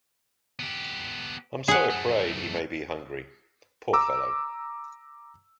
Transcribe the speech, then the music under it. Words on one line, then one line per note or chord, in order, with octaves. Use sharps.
I'm so afraid he may be hungry, poor fellow.
B3 G4
B3 G#4 F#5
F#2 A3
A#5 D6 E6